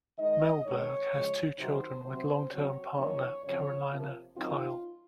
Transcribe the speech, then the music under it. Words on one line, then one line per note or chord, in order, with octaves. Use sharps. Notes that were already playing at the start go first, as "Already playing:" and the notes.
Mellberg has two children with long term partner Carolina Kihl.
D#3 G#3 D#4 D#5
G#2 D#3 G#3 C4 D#4 C#5
C#3 F3 G#3
C3 D#3 F#3 C4 D#4 C5
C3 F#3 C4 C5
C#3 F#3 C4 C#5
F#2 F3 A#3 D#4 C#5
F#2 C#3 F3 C4 C#5
C3 F3 A#3
F#2 D#3 F#3 C4 D#4 F4